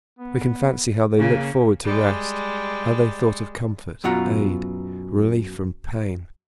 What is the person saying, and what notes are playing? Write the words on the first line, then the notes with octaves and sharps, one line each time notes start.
We can fancy how they looked forward to rest; how they thought of comfort, aid, relief from pain.
B3
C#3 A#3
G3 G#3
F#2 B2 F4 F#5 A#5